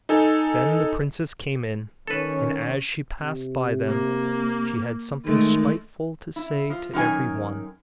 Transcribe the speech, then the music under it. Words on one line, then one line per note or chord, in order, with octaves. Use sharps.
Then the princess came in, and as she passed by them she had something spiteful to say to every one.
D#4 A4 G#5
D#3 C#4 A4 B4
C3
A#3
D#3 G#3 A3
E4
F3
F#2 D#3 F#4 G#5